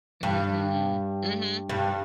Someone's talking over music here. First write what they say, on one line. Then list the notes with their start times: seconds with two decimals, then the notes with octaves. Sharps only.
Mhm, mhm.
0.23 G2
1.69 G2